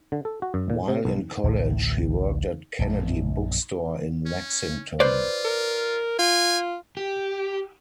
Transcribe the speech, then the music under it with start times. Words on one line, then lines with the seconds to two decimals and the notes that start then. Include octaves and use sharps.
While in college, he worked at Kennedy Book Store in Lexington.
0.12 D3
0.25 A4
0.42 F#4
0.54 F#2
0.70 A#2
0.88 C3
1.05 B1
1.44 A1 D2 A2 C3
2.79 A#1 F#2 B2
4.26 C#4
5.00 F4 B4 C5 D5
5.45 A#4
6.19 F4 G#5
6.97 G4